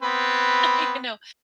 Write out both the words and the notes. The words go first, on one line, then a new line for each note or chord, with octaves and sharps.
you know,
B3 C4 B4